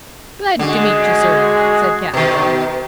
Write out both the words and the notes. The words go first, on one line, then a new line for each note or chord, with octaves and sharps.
"Glad to meet you, sir," said Cap'n Bill.
D3 G#3 F#4 G#4
B2 D#3